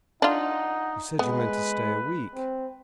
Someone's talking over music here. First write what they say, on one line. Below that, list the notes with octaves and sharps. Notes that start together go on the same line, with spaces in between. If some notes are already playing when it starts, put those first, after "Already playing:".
You said you meant to stay a week.
D4 D#4 F4 F#5
G#3 B3 B4
C4